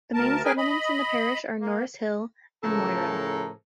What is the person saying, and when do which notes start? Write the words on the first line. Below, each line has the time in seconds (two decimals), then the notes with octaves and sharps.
The main settlements in the parish are Norris Hill and Moira.
0.14 D2 A#4 A5
0.45 G#4 A#4 B4 G5 G#5
0.58 D#5 B5
1.61 A#3
2.63 A2 C#3 F3 A4 A#4 A#5